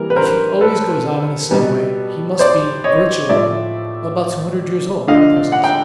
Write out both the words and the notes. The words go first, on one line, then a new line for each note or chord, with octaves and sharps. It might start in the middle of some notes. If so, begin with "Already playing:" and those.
If he always goes on in the same way, he must be, virtually, about two hundred years old, at present.
Already playing: E3 G3 A#3 A#4
B4
A#4 C5
A4 B4
B2 G3 B3 D#4
C5 D5
C#5 D#5
A2 F3 A3 D5 E5
D3 F3 A3 D4 D#5 F5
F#5
G5